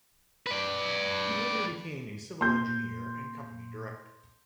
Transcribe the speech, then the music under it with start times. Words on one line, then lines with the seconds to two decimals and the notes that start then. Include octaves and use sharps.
He later became a civil engineer and company director.
0.47 B4 D5
2.41 A#2 C6 G6